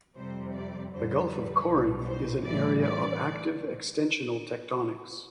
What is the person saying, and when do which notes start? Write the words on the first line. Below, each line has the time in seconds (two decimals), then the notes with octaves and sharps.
The Gulf of Corinth is an area of active extensional tectonics.
0.16 F2 C3 G3 C5
0.55 D5
0.93 F2 D3 G3 C5
1.30 B4
1.69 B1 B2 G3
2.07 C5
2.44 A1 A2 E3 G3 D5
2.83 D5